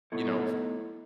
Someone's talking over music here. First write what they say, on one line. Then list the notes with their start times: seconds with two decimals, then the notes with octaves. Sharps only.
you know, f
0.12 A3 B3 D#4 E4 A4